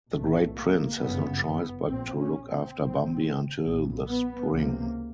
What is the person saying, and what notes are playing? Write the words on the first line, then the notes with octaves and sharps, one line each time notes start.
The Great Prince has no choice but to look after Bambi until the spring.
B1 A2 A3
A#3
G1 F#2 C#3 B3
A#1 A#2 C4
C#4
C4
A#1 G#2
B1 A#2
B3
C#2 C3 A#3